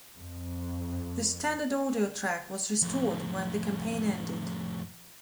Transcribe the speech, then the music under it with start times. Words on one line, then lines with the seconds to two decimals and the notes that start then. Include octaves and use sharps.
The standard audio track was restored when the campaign ended.
0.18 F2
2.82 F2 A2